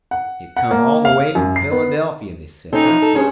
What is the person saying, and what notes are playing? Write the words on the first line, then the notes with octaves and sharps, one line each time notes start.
It come all the way from Philadelphia, they said.
F#5
F#5
A#3
F5
F#2
C7
B3
C4 C#4 D#4 A4
E3 F3
A4
G2 C#4 G#4 C5